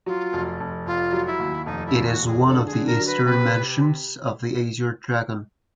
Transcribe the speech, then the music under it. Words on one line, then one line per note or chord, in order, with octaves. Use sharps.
It is one of the eastern mansions of the Azure Dragon.
F#3 F4
F1
F1
F1 F4
F#3
E4
D#2
F1 D#4
E4
D#2
F#4
F1
G#4
D3 A4
G#4
D3
A#4
F#3
B4
C3 B4